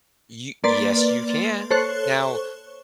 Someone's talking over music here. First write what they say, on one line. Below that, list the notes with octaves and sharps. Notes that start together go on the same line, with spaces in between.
You yes, you can. Now
A#3 B4 D5 C6 A6
A4 C5 C#5 C#6 F#6